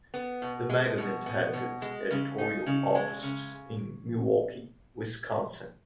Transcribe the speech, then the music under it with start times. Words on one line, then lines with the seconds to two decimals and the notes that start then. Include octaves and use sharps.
The magazine has its editorial offices in Milwaukee, Wisconsin.
0.14 B3
0.42 B2
0.70 G#3
0.98 B2
1.26 B3
1.54 B2
1.82 G#3
2.11 C#3
2.38 D#4
2.66 C#3
2.95 G#3
3.23 C#3